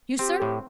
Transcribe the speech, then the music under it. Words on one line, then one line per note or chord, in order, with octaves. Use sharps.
You, sir?
C4 G4
A2